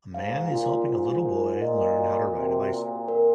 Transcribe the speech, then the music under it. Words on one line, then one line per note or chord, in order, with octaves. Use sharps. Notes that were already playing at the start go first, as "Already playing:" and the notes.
A man is helping a little boy learn how to ride a bicycle.
G#2 F5
A#2 F4
G#2 F4
A#4
A#2 D#5
F#4
C3 A#4
A#2 A#4
A#4